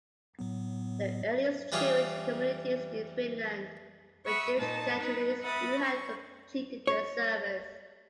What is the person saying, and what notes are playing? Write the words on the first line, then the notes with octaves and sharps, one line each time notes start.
The earliest Jewish communities in Finland were Jewish cantonists who had completed their service.
A2 F#3 B3
E3 G3 F4 G#4 C#5
E5 F#5 B5 C#6 D#6 E6
A#2 D#4 D#5 A5
B3 D#4 B4
E5 F#5 B5 D#6 A6
C#6
C#5